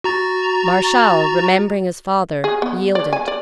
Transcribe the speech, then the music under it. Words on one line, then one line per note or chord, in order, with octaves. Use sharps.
Martial, remembering his father, yielded.
F#4 A#5 A6
G#4
B3
D5
G#5
D5